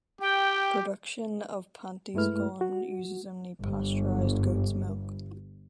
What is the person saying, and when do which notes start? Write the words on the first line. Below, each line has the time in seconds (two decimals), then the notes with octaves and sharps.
The production of Pantysgawn uses only pasteurised goat's milk.
0.21 G4 G5
2.14 G2 G#3 A3 E4 B4 F6
2.61 F#4
3.62 G1 G2